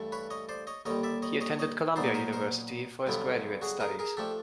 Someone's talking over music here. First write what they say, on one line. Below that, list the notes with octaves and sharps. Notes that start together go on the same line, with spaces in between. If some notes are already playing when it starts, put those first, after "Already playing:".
He attended Columbia University, for his graduate studies.
Already playing: G2 E3 A3
B4 C#5
C#5 D#5
C5 D5
C#5 D#5
D#2 D3 G3 C#5 D#5
D5 E5
C#5 D#5
C#5 D#5
C#5 D#5
A#2 F#3 B3 D#4 C5 D5
A#4 C5
A#4 C5
G2 D3 F#3 B3 E4
F#4 G#4
G#4 A#4
G#4 A#4
F3 A3 D4 G4 A4